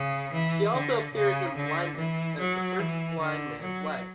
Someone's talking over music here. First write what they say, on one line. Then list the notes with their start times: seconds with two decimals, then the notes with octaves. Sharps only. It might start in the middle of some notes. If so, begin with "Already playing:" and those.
She also appears in "Blindness" as the First Blind Man's Wife.
Already playing: C#3
0.32 E3
0.73 D3
1.14 C#3
1.56 D3
1.97 E3
2.38 F#3
2.79 E3
3.20 D3
3.62 F#3